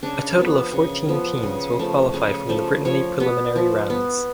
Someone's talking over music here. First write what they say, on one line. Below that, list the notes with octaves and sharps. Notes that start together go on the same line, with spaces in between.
A total of fourteen teams will qualify from the Brittany preliminary rounds.
C#3 D4
F3 B3
C#3
F3 B3
C#3
F3 A3
C#3
F3 A3
F3 C#5
B3
F3
B3